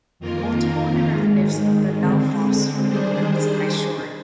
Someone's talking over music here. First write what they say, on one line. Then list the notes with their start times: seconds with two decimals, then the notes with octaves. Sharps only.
Multiple derivatives of the Belfast were proposed by Short.
0.20 F2 D#3 A#3 F4 A#4
1.09 G#2 D#3 G#3
1.97 D3 G#3 C4
2.86 D#3 G3 D4 G#4 C5